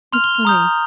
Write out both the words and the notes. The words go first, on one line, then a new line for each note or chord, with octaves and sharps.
That's funny.
C6 F6 F7
G7
F7
A#5 D#6 G6